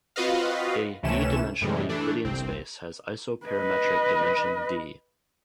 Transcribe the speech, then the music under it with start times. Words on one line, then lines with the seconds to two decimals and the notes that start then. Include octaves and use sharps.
A "d"-dimensional Euclidean space has isoperimetric dimension "d".
0.16 C4 F4 F#4 B4 D#5 F5
1.03 C#2 C3 E3 A3 C#4 E7
1.61 F#2 A2 C3 E3 G3 G#3
1.89 E3 A3 D4
2.24 G1 C2 C4
3.47 B4 D#5